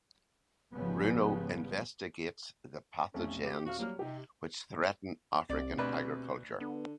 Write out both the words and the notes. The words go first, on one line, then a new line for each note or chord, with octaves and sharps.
Runo investigates the pathogens which threaten African agriculture.
G#1 C#3 F3 G3 G#3 B3
F1 B1 A3 C#4
G4
D#1 F#4 F5 F6
F#3 G3 A#3 F6
C3 D#4 G4
C2 C3 D5
D2 B2 D4 B4
D3 B3